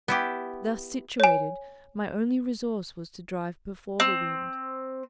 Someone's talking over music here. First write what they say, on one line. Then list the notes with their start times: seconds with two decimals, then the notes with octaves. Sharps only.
Thus situated, my only resource was to drive before the wind.
0.08 B3 E4 G4
1.20 C#5 G#5
4.00 C4